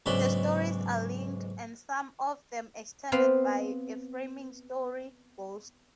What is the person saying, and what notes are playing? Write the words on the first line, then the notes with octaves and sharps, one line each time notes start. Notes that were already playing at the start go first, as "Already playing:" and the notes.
The stories are linked, and some of them extended, by a framing story, "Ghost".
B1 G#2 C#3 D4 B5 C6
B3 C4 B4 F5